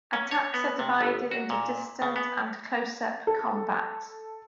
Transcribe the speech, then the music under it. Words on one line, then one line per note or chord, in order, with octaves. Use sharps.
Attacks are divided into distant and close-up combat.
C#4
C#5
B3
C3
G1
F#4
A#2
C#3
B3
A4